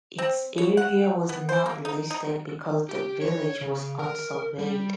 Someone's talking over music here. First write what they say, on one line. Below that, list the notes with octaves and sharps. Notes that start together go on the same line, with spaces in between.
Its area was not listed because the village was unsurveyed.
C4
C#5
F#5
B3
C5
A#3
D#4
D#4
G4
C#5
C#3
A#4
G3